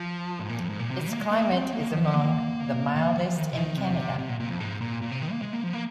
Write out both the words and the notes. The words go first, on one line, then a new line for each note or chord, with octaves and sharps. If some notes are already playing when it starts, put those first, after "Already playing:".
Its climate is among the mildest in Canada.
Already playing: F3
G#2
A#2
F2
G#2
A#2
C3
D#3
A#3
G#3
A#3
C4
A#3
F3
A#3
A#3
F3
D#3
C3
D#3
C3
C3
A#2
A#2
F2
G#2
A#2
A#2
C3
D#3
A#3
G#3
A#3
F3
A#3